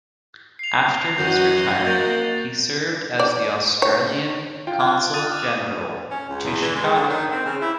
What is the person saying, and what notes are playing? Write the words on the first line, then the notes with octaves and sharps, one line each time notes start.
After his retirement, he served as the Australian Consul-General to Chicago.
C7 F7
F#2 F#4 D#5 F#5 G6
A#3 G6 A6 F7
D5
C#5
F4 G5
F6 F#6 G#6
D#6 A6 D#7
D6
C#4
C#2
E2
E3
G#3
D3
D#3
C4
C#3
E4